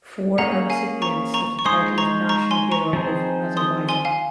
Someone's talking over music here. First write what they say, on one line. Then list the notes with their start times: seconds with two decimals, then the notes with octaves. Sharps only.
Four are recipients of the title of National Hero of Azerbaijan.
0.38 A#3 C#4 G#4 F#5 A#5
0.70 F5 G#5
1.02 A#5 C#6
1.34 A#5 C#6
1.59 C#6
1.65 G#3 D#4 G#4 C5 C6 D#6
1.98 A#5 C#6
2.29 A#5 C#6
2.51 G#5 C6
2.72 A#5 C#6
2.93 F3 C4 D#4 G#4 C5
3.57 C6 D#6
3.89 G#5 C6
4.05 F5 G#5